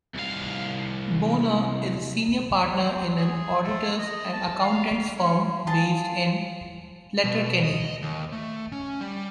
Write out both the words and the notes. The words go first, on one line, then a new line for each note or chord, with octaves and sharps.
Bonner is a senior partner in an auditors and accountants firm based in Letterkenny.
C2 F5
C4
G#4
A3
D#5
A5
F5
C#4
F4 G#4 A5
B2
D#5
D#2
A3
C#4
G3